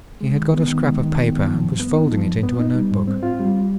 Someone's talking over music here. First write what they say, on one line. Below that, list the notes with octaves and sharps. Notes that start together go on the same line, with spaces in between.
He had got a scrap of paper and was folding it into a note-book.
G#3
D#3
B3
D#3
G#3
D#3
B3
D#3
F3
G2
B3
D#4
F3
G2
B3
D#4
G3
G#2
C4
F4
G3